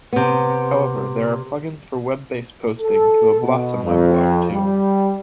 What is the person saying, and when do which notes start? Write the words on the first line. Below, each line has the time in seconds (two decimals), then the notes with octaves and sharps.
However, there are plugins for web-based posting to a Blosxom weblog, too.
0.13 C3 B3
2.80 A4
3.40 B2
3.83 F2
4.52 G3